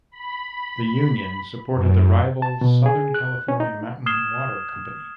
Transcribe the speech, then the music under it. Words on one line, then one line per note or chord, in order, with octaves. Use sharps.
The "Union" supported the rival Southern California Mountain Water Company.
B5
F#2
A5
B2
G#4
F#6
C#4
D#4
D#6 F6 G#6 C7 E7 G7